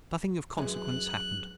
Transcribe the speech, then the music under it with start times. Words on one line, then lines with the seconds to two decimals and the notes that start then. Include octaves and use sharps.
Nothing of consequence hapened.
0.58 F#2 E3 G#3 F#6